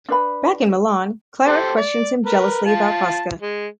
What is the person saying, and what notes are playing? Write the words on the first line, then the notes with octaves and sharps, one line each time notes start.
Back in Milan, Clara questions him jealously about Fosca.
D4 B4 B5
G4 A4 C5
D5
A#4 B4
F4 A5
G#3